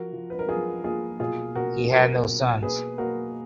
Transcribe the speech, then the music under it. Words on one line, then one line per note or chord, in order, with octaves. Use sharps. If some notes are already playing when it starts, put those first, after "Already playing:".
He had no sons.
Already playing: F3 F#4 A#4
F3
B4
A#4
F3 F4 G#4
A#3 F4 G#4
B2 F4 G#4
B2 F#4 A#4
F4 F#4 A#4
B2
A#3 G#4 B4
A#3 F#4 A#4